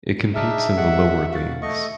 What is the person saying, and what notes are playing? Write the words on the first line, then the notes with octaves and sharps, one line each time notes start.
It competes in the lower leagues.
D4 D#4 G#4 E5 F6
G4 G#4 D#5 F#5
F#4 F5 A6
A3 D#5 E5 C#6